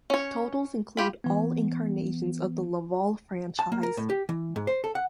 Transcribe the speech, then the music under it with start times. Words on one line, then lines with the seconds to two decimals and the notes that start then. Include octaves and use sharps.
Totals include all incarnations of the Laval franchise.
0.10 C#4 C#5
0.97 F4 G4 B5
1.24 E3 B3
3.59 A5
3.72 A#3
3.83 A#4
3.97 A2
4.10 G4
4.29 E3
4.56 G#2
4.67 C5
4.84 A4
4.95 F#5